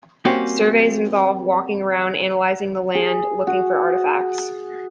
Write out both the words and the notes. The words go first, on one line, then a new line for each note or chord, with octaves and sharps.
Surveys involve walking around analyzing the land looking for artifacts.
G3 A#3 C4 C#4 F#4 G4
G#4
F#4